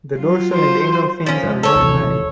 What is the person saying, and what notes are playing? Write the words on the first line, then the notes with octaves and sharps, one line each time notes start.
The dorsal and anal fins are not high.
F#3 F4
C5
F3 C#4
G#3
A4 C#5
D#2 C3 E3